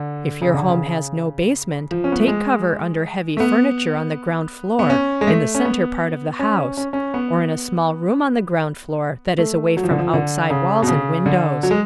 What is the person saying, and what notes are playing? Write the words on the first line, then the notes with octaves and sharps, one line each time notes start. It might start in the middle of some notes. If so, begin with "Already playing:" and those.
If your home has no basement, take cover under heavy furniture on the ground floor in the center part of the house, or in a small room on the ground floor that is away from outside walls and windows.
Already playing: D3
C#3
D3
C#3
F3
C#4
B3
A3
G#3
A3
B3
B3
C#4
G#3
A3
C#4
B3
C#4
C#4
C#4
B3
A3
F#3
F3
D3
F3
D3
C#3
B2
C#3
D3
F#3
G#3